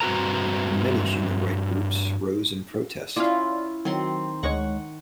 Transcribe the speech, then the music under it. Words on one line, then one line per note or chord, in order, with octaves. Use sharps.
Many human right groups rose in protest.
G2 C4 F#4 G#4 B4 A#5
C#4 E4 F4 D5 F5
D#3 F#3 C4 C6
D2 G#3 C#5 F#5 C#6